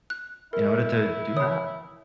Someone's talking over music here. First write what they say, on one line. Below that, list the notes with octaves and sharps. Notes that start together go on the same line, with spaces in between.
in order to do math.
F#6
E4 A#4
C#5 B5 D#6